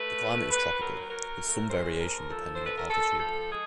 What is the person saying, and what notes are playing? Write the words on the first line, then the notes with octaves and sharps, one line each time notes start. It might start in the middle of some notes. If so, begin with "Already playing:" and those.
The climate is tropical, with some variation depending on altitude.
Already playing: A3 B4
D#2
D#2 B4
F#3 A#4
F#3 A#4
A3
G#3 C5
D2 A#4
F3 A4
D2 C5
B4
A#4
D2 A4
F3 A4
G#3 G#4